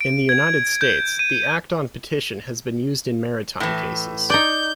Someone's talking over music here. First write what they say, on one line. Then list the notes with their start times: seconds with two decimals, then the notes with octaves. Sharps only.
In the United States, the "act on petition" has been used in maritime cases.
0.01 D7
0.29 G#6
0.81 G6
1.19 D#7
3.60 A2 E3
4.30 D#4 D5 G6